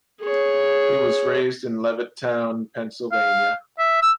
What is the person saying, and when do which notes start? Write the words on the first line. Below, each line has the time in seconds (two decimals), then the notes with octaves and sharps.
He was raised in Levittown, Pennsylvania.
0.22 G#4 C#5
3.12 F5
3.79 E5
4.02 E6